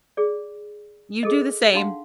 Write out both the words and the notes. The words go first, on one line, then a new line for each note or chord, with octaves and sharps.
You do the same.
G#4 D5
G#4 A4 D#5
D4 D#4 F5 F#5 C6